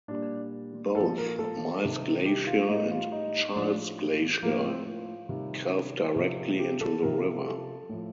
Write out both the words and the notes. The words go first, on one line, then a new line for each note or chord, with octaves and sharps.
Both Miles Glacier and Childs Glacier calve directly into the river.
A#2 G3 D4
A#2 F3 A4
A#4
A4
C3 D#3 G3
G4
F4
A2 G3 D#4
F4
D#4
A2 F3 D4
A2 F3 A#3
C4
F4
C3 D#3 G3
C3 F3
G4
A4
C3 F3 A#4
A4
A2 F3